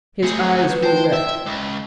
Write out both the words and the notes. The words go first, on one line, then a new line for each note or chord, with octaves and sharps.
His eyes were wet.
A3 C4 G#4 G6 C#7
B4 G6
C5 G5 A5
E5
C#2